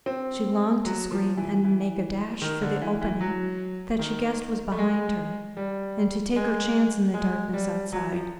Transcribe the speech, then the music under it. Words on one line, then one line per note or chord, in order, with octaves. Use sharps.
She longed to scream and make a dash for the opening that she guessed was behind her, and to take her chance in the darkness outside.
C4
F#3
F3
E3
E3
D#3
D3
E3
E3
F#3
D#3
A3
G#3
G3
G#3
G#3
G3
F#3
F3